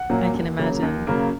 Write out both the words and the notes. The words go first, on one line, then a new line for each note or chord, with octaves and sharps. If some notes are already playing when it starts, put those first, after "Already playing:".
I can imagine.
Already playing: F#5
A#2 F#3 A#3
D#2
C#3 F#3 A#3
D#2
C#3 F#3 A#3